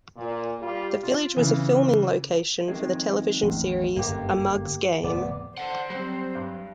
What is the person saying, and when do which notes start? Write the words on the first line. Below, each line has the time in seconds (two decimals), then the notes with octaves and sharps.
The village was a filming location for the television series A Mug's Game.
0.16 A#2
0.61 G3 F4 G4
1.03 F4
1.37 C#3 E3
2.68 F2 D#3 G#3
3.43 A1 E2
3.96 G1 F#2 D3 A#3 G4
5.04 D1 F2 B3 D5
5.58 C5 D5 F#5
5.90 F#3 G3 C4
6.35 G2